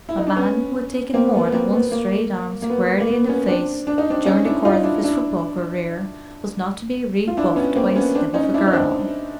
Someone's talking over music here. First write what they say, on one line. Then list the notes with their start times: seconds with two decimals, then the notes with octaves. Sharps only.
A man who had taken more than one straight arm squarely in the face during the course of his football career was not to be rebuffed by a slip of a girl.
0.09 E4
0.18 D#4
0.27 D4
0.36 B3 C#4
1.14 A#3 C4
1.34 B3
1.46 B3
1.53 A#3 C4
1.73 B3
1.91 A#3
2.62 A#3
2.70 B3
3.00 A#3
3.09 B3
3.28 B3 C#4
3.47 C4 D4
3.87 D4
3.98 D#4
4.10 C4 D4
4.25 C#4 D#4
4.45 D4 E4
4.65 D#4 F4
4.83 D4 E4
5.04 D4 E4
7.28 F4
7.37 D4 E4
7.56 B3 C#4
7.76 A#3 C4
7.96 B3 C#4
8.15 C4 D4
8.34 C#4 D#4
8.54 D4 E4
8.67 D#4
8.73 C4 D4